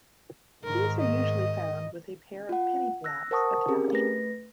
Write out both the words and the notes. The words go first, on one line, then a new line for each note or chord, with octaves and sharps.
These are usually found with a pair of penny blacks attached.
G#2 D#3 A#4
D#5
F4 F#5
E6 F#6 A#6
A#4 C5 F#5 A5 C#6 D#6
C4 C#4 G4 G#4 A#4
A3 B4 A#6